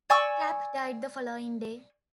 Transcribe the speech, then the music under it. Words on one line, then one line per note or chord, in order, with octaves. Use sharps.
Kapp died the following day.
D5 G#5 C#6 E6